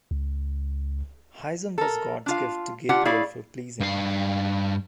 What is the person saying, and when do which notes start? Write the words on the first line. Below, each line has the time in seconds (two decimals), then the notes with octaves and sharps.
Haizum was God's gift to Gabriel for pleasing Him.
0.11 C#2
1.78 A4 A#4
2.26 D4 F4 F5
2.89 D4 F4 G4 F#5
3.05 E4 G#4 C#5 D5 F5
3.80 G2 F5